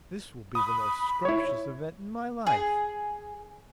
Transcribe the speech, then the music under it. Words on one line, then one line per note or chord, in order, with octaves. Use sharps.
This will be the most scrumptious event in my life.
B5 D#6
E4 C#5
G#4